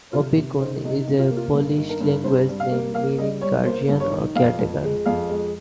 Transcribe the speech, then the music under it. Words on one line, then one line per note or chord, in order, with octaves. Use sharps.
Opiekun is a Polish language name meaning "guardian" or "caretaker".
C3 F4
C3
D#3 C5
C3 D#4
D#4
C3
F4
A#3
F4
G2
D#3
A#4
G2
A#4
G2 C5
G3
F5
A#3
A#3 F5
G3 D#5
G3 C#5
A#3 C5
G2
C#5
D#3
F2 F5
F2
G#3
F2 F5
G#3